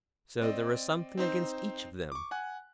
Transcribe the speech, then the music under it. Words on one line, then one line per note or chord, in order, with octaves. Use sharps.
So there was something against each of them.
C4 D5 D#5
C4 D#4 C5
C#6 D6
F#5 G#5 F#6